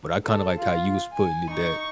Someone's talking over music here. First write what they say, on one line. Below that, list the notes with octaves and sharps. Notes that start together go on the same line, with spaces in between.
But I kinda like how you was putting it that
A4
F4
G#5
D#4 C#6